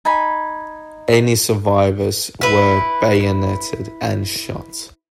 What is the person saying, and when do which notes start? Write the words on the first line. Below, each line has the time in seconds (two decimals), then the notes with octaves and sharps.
Any survivors were bayoneted and shot.
0.05 D#4 G#5 B5
2.41 E4 B4